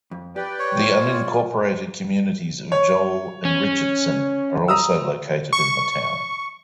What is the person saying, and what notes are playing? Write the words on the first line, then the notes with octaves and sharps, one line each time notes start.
The unincorporated communities of Joel and Richardson are also located in the town.
F2
G4 B4 D5 G5
C#5
F4
G#3 D5
C#5
C#4
A#5 D#6 E6
C#6